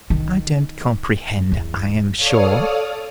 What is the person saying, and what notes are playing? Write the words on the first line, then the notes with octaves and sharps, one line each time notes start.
"I don't comprehend, I am sure."
D#3
E2
A4 C#5 D5 F5 D#6 F6